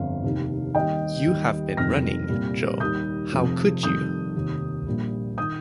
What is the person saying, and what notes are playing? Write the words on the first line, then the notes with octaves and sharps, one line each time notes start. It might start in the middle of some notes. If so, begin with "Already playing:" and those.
You have been running, Jo; how could you?
Already playing: G1 F2 F5
F1 D#2 D#3
D#2 D#3 G3 D#5 G5
D#2 D#3 G3
F1 F2 D#3 G3 F6 A#6
C2 A#2 G3
D#2 D#3 G3 D#6 G6
F1 F2 F3
F1 F2 D#3 G3 D#6 G6
F1 D#2 D#3
A#1 A#2 G3
D#3 D#6 G6